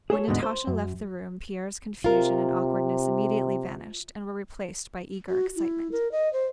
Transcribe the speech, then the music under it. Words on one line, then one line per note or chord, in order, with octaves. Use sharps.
When Natasha left the room Pierre's confusion and awkwardness immediately vanished and were replaced by eager excitement.
G#4 A4 C#5
D2 G#2 D3 G#3 B3
C5
F#2
C3 F4 A#4
F#4
E4
A#4
D#5
C5